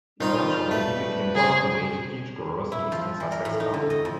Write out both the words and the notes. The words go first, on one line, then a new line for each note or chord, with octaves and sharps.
Eventually he became one of the major peach growers in eastern Sussex County.
D#3 G3 C4 D#4 F4
A3 B4
C#3 G#4 C5
E4
F3
E3
A#4
A2
D#4
D3
D#5
F2